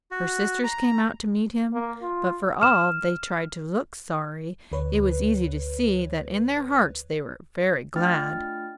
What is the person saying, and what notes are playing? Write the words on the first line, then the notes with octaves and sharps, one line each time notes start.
Her sisters came out to meet him, but for all they tried to look sorry, it was easy to see that in their hearts they were very glad.
F#4
A#5
A#3
F4
F6 E7
D2 B4 C#5
A3 D4 F4 G5 F6 A6